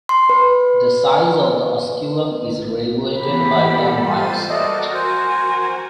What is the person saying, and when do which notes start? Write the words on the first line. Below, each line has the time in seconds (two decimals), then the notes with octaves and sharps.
The size of the osculum is regulated by the myocyte.
0.09 C6
0.29 B4
3.18 E3 A#3 B3 G4 B5
3.59 G3 A4
4.05 F4 C5 A6 D#7
4.49 F#4 A4 A#4 D5 D#5
4.94 C5 G#5